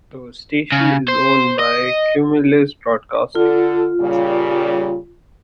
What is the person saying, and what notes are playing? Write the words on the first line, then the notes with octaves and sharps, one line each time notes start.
The station is owned by Cumulus Broadcasting.
C#3
C5
D#5
D3 F4 A4
A#2 C#3 G3